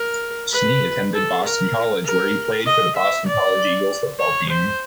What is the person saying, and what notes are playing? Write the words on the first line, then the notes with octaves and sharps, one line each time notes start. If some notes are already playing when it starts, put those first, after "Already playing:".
Snee attended Boston College, where he played for the Boston College Eagles football team.
Already playing: A#4
B4
A4
A#4
A#4
D#5
E5
D5
C#5
C5